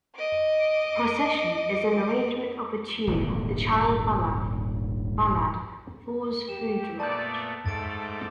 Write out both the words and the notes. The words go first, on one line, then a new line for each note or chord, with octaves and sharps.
"Procession" is an arrangement of the tune of the Child Ballad "Fause Foodrage".
D#5 D6
D#1 G#1 D3
G4 E7
A#2 A3 B3 D5 A5 G6
G#2 A3 A4 D6 A6 D7